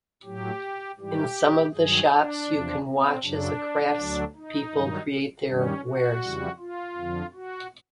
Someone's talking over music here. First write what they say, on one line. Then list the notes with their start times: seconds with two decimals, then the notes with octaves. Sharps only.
In some of the shops you can watch as the craftspeople create their wares.
0.24 A2 F#3 G4
0.99 G#2 E3 G3 G4
1.74 G2 D#3 F#3 G#4
2.11 D4
2.48 E2 C3 F3
2.85 C4
3.23 F#2 C#3 F#3 D4
3.98 D2 D3 F#3
4.35 D#4
4.72 G2 D#3 F#3
5.47 G2 D#3 G3 C#4
5.84 F#4
6.22 F2 C#3 E3 G3
6.59 F4
6.96 F2 D3 F3
7.34 F#4